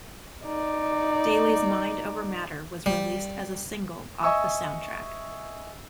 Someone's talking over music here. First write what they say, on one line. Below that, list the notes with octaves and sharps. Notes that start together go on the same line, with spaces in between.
Daily's "Mind Over Matter" was released as a single off the soundtrack.
D#4 D5
G3
D#5 E5 G#5 C#6 D#6 E6